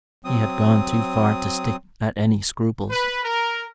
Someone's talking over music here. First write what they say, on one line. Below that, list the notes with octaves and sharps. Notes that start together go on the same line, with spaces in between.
He had gone too far to stick at any scruples.
F#3 C4 D#6
B4
A#4